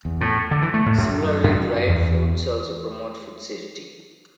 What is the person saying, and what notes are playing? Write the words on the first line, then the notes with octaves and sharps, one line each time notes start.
Similarly, dried foods also promote food safety.
E2
A2
D3
E3
A3
A2
F#2
F#2
E2